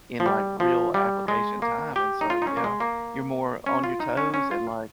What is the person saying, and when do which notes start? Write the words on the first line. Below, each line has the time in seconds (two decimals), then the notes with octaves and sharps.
in, like, real application time, and so, yeah, you're more on your toes and, like,
0.20 F3
0.26 G3
0.60 F3
0.94 G3
1.28 G#3
1.62 A#3
1.96 G4
2.21 D#4
2.30 F4
2.42 D#4
2.47 C#4
2.57 A#3
2.64 G#3
2.80 A#3
3.66 C#4
3.84 F4
4.00 D#4
4.17 C#4
4.34 C#4
4.51 F4